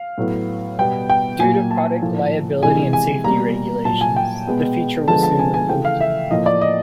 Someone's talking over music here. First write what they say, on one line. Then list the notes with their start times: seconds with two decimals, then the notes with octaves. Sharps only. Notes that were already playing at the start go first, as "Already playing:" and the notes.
Due to product liability and safety regulations, the feature was soon removed.
Already playing: F5
0.18 A2 F#3 B3
0.79 B2 G3 B3 G5
1.10 G5
1.40 A#2 F#3 A#3 G#5
1.71 A5
2.02 A2 F3 A#3
2.62 C3 E3 G#3 G#5
2.93 G#5
3.24 B2 G3 A#3 A#5
3.85 A#2 F#3 A#3 A5
4.01 G#5
4.16 G5
4.47 B2 G#3 B3
5.08 D3 F3 G#3 B3 A5
5.23 A5
5.39 G#5
5.54 G#5
5.69 C#3 E3 A3 G5
5.85 F5
6.01 E5
6.31 A2 F3 A#3 D#5
6.46 D5
6.61 D#5